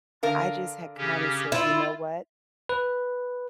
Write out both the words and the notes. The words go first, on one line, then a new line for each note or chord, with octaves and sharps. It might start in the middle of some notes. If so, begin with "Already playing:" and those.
I just had kinda said, "You know what"
D3 A#4 F5
C#3 C#4 G4
E4 F4
B4